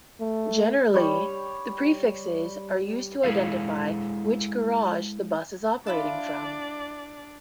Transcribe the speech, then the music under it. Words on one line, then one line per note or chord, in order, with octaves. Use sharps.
Generally, the prefixes are used to identify which garage the bus is operating from.
A3
G3 C#5
G#3 E4 G#4 A4 F5
D4 E4 F4 D5 A5